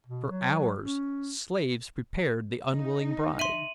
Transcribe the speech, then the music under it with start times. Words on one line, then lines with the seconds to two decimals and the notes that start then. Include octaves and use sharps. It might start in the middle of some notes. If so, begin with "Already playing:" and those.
For hours slaves prepared the unwilling bride.
0.07 B2
0.30 F#3
0.79 C#4
2.73 D#4
3.39 E5 C6 D#7 F#7